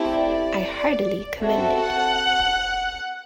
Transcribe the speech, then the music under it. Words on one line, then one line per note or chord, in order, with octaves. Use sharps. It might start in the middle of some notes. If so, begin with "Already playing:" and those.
I heartily commend it.
Already playing: A3 C4 E4 G4
D5
C4 F#4 A4 E5
F#5